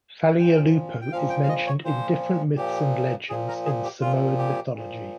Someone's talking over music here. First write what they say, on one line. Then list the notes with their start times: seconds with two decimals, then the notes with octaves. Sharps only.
Falealupo is mentioned in different myths and legends in Samoan mythology.
0.39 A#2 F3 G5
1.01 G5
1.12 A#2 F3 F5
1.30 G5
1.43 F5
1.49 D#5
1.67 C#5
1.84 A#2 F3 C5
2.56 A#2 F3 G4
3.29 A#2 F3 G#4
3.48 A#4
3.65 G#4
3.84 G4
4.01 A#2 F3 F4
4.38 G4
4.74 A#2 F3